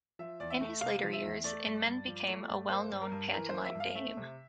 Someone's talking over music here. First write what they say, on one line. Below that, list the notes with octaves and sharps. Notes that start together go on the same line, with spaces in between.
In his later years, Inman became a well known pantomime dame.
F3 E5
E2 D5
E5
A3
C3 F5
F3
E5
E2
A3 D5
G2
G2
F3
A3
G2
A#3 C5
G2
A#4
G2
E3 A#4
C5
A#3
E5
G2
F5
A3 E5
C3